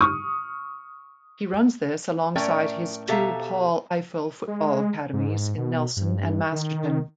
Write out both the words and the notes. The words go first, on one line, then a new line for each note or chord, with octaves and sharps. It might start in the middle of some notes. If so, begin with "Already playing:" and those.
He runs this alongside his two Paul Ifill Football Academies in Nelson and Masterton.
C#6 D#6 F6
A2 A3 C#4 A#4 D5 G5
B2 G4 A4 E5 F5 A#5
G#3
G#2
B2
G2
D#3